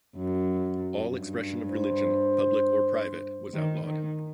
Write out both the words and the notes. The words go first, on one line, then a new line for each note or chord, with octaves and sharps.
All expression of religion, public or private, was outlawed.
F#2
G2
C5
D#3
D#3